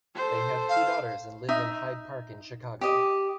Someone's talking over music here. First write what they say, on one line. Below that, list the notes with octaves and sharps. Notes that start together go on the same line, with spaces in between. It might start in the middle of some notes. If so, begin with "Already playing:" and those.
They have two daughters and live in Hyde Park in Chicago.
A4 C5
F5
D#4 E5
G4 D#5